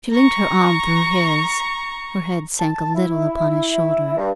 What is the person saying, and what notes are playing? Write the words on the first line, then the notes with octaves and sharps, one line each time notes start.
She linked her arm through his, her head sank a little upon his shoulder.
A#5 C#6
A5
E4
G2